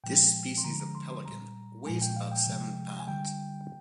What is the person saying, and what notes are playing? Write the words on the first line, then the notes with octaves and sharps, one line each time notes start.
This species of pelican weighs about seven pounds.
A#2 F3 G#3 G5
C6
D3 F3 G#3 A#5
A#5
C6
C6
A#2 G3 A#5
A#2 F3 G#3 G#5
G5
F5
G5
C3 F3 G#3
G#5
D3 G3 G5